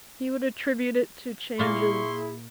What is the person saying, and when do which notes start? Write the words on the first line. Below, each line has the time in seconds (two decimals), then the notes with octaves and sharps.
"He would attribute it to changes . . ."
1.59 A#2 A#3 E4 G#4 C6 C#6